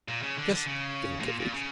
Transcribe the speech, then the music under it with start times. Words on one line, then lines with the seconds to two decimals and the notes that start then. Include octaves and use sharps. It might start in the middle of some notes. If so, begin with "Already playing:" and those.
Just think of it!
0.08 A#2
0.22 C#3
0.37 D3
0.52 D3
0.66 C#3
1.20 A2
1.25 A#2
1.39 A#2
1.54 C#3